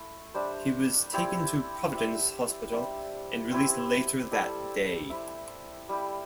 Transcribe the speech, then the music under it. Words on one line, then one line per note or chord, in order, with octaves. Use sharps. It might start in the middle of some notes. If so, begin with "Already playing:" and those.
He was taken to Providence Hospital and released later that day.
Already playing: A3 E4
G3 D4 C5 E5
C4 E4 G4 D5
E4 G4 C5 E5
G3 D4 C5 E5
C4 E4 G4
G3 E4 A4
E4 C5 E5
G3 E4 G4